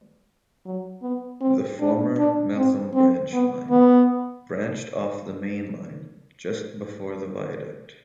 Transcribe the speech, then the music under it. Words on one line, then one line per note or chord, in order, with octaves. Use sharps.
The former Meltham branch line branched off the main line just before the viaduct.
F#3
B3
C4
D4
D4
C4
C4
B3
B3